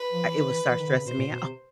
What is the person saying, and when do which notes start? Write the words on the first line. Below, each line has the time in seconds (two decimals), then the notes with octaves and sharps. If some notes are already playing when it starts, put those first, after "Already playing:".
I it will start stressing me out.
Already playing: B4
0.12 F3
0.25 E3
0.38 D#3
0.52 E3
0.68 E3
0.78 D#3
0.87 D3
0.96 C#3
1.06 B2 C5
1.18 A#2
1.31 B2
1.43 C3